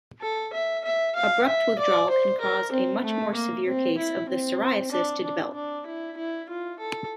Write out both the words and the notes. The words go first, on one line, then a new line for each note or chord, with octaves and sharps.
Abrupt withdrawal can cause a much more severe case of the psoriasis to develop.
A4
E5
E5
F5
E5
D5
C5
A#4
C4
A3
A#3
C4
E4
C4
D4
D4
D4
E4
E4
F4
A4